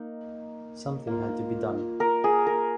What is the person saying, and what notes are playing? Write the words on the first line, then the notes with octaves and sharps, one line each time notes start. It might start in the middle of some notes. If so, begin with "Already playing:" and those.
Something had to be done.
Already playing: A#3 D#4
A#3 F4
A#4
G#4
A#4